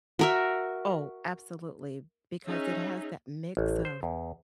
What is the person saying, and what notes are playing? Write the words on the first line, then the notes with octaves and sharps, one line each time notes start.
Oh, absolutely, because it has that mix of
F#4 A#4 E5
C#4 D#4 G#4 E5
A1
C5
E2